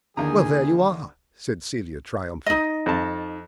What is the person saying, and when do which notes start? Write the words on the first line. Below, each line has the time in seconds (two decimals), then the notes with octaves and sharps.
"Well, there you are," said Celia triumphantly.
0.17 D#2 D3 E3 A#3 G#4 A#5
2.46 D#4 D#5
2.86 F2 A5